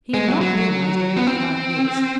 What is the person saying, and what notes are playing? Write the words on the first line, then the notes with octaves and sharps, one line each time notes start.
He had not realized it would be like this.
G#3
F#3
F#3
B3
C4